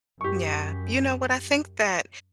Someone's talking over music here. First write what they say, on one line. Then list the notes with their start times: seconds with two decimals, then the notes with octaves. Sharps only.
Yeah. You know what, I think that
0.21 F#2 G4 C#6